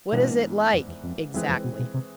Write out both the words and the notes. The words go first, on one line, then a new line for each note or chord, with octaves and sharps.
"What is it like--exactly?"
G#2 B2 E3 B3 D4
F2
E2
F2
F2 E3 G#3 C4 G#4 B4
F2
B2
B2
C3